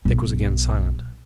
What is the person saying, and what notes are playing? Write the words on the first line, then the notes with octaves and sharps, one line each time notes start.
Dick was again silent.
B1